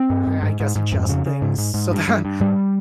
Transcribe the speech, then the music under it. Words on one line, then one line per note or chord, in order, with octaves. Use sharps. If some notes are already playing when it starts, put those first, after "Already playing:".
I I guess adjust things so that
Already playing: C4
G2
G2
G#2
G#2
G#2
F2
C#3
C#3
G#2
G#2
G#2
G2
G2
G2
G#2 G3